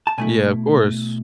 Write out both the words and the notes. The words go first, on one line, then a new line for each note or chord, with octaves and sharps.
Yeah, of course.
A5
B2 A3 E4 G#5